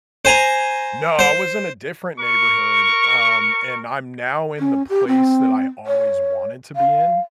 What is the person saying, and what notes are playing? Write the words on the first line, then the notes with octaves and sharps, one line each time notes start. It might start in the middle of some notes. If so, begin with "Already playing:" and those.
No, I was in a different neighborhood, um, and I'm now in the place that I always wanted to be in.
C5 G#5 A#5
C5
A#4 C#6
C#4
G4
C4
C#5
F5